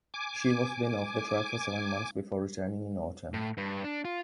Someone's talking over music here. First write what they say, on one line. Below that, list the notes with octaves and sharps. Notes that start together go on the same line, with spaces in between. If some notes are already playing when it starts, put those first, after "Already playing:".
She was then off the track for seven months before returning in autumn.
G#5 D6
A2
G2
D4
F4